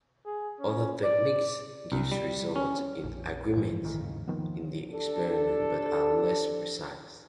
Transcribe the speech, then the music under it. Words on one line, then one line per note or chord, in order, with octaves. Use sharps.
Other techniques give results in agreement in the experiment but are less precise.
G#4
C#4
D5
C2
G3
C#4
A#1 F2
G2 E3 F3 G#3
A#1 D#3 E3
D#2 G#2 C#3
D#3 F3 A#3 B3
D4 G4 A4